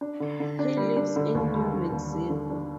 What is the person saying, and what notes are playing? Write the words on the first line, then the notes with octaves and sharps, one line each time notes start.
He lives in New Mexico.
D4
D3
D3
D4
G3
D4
D3
D#2
G3
D3
D#2
G3
D3
D4